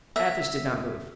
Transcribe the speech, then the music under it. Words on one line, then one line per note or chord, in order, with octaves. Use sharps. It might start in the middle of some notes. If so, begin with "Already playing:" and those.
Athos did not move.
E5